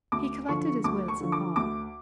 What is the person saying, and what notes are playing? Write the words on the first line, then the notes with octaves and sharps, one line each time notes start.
He collected his wits and thought.
D2 D6
D3 F3 C#6
D2 D6
C#6
D3 F3
D6
D2 D6